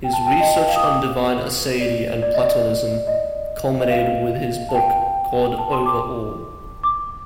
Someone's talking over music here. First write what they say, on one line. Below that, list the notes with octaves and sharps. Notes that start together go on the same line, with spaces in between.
His research on divine aseity and Platonism culminated with his book "God Over All".
G5
A5
G5
D#5
D#5
F5
D#6
D6
D5
D5
D#5
D5
D#5
D#5
F5
A5
G5
A5
C6
D6
D6